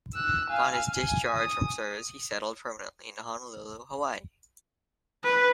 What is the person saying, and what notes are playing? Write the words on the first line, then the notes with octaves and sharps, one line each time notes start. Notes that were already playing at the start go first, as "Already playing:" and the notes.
Upon his discharge from service, he settled permanently in Honolulu, Hawai'i.
E6 F#6
F5 G#5
G#5
D#6
B4